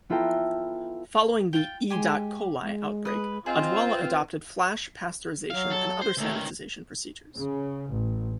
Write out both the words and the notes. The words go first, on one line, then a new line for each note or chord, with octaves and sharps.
Following the "E dot coli" outbreak, Odwalla adopted flash pasteurization and other sanitization procedures.
B3 E4 F4 A4 G5 A#5
F4 G5
G#3 G4 G#5 C6
G#3
B4 D#6
C4 F4 G#4 D#5
B4
F#3 F5
A4
C5
C#2 D#3 A3
C#3
A1